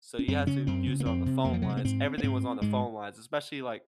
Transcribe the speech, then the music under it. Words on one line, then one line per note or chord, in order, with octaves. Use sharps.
So, you have to use it on the phone lines everything was on the phone lines, especially, like,
C#4
F#2 C4
C#3 C#4
F#2 C4
C#3
A#3
F2 C4
C3
F2 A#3
F3
C3 F#3
G#3
A#3
G#2 C4
A#3
G#2 C4
G#2 G#3